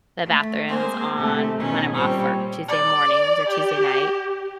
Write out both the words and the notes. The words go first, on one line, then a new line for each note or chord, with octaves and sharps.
the bathrooms on when I'm off work Tuesday mornings or Tuesday night.
A3
G#3 A#3 C4 G#4 C5
C3 A3
B2 D#3 C#4
A#2 G3 C4 C#5
D5
G4